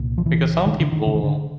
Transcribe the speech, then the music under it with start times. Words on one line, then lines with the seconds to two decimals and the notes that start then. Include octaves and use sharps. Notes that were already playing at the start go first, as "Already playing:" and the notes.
because some people,
Already playing: C2 A#2
0.18 F3
0.26 E3
0.66 D#3
0.80 D3
0.92 D#3
1.07 D3
1.15 D#3
1.24 D3